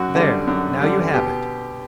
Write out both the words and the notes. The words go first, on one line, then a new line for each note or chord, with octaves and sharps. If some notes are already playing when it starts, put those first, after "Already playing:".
There! now you have it.
Already playing: F#2 F#4
D3 G3
F#2
D3 G3
B2 G4